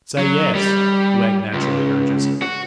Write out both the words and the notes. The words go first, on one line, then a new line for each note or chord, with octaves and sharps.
'Say yes,' Wegg naturally urges.
F#3
G3
C#2
F#4